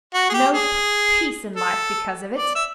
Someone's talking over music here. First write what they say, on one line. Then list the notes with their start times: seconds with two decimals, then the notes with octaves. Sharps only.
No p--peace in life because of it.
0.14 F#4
0.30 G#4
0.34 G4
0.54 G#4
1.56 A4
2.37 D5
2.55 E5